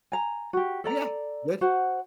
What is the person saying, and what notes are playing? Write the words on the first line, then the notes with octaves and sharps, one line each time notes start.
Oh yeah. Good.
G#5 A#5
F#4 G4
A4 D5 A#5
F#4 C5 F#5